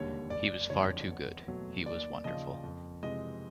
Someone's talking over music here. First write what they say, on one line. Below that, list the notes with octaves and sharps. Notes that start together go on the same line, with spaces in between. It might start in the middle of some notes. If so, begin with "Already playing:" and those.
He was far too good, he was wonderful.
Already playing: E1 D#2 D3 G3 C#5
F#1 D5
F2 D3 C#5
E2
B2 F#3 A3
D#2 D5
C#3 F3 D#5
F2
C3 E3 G#3 D#5